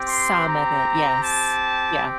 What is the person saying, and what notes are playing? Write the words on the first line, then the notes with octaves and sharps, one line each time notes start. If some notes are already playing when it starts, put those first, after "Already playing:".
Some of it, yes, yeah.
Already playing: C4 G4
C6
A#5
A5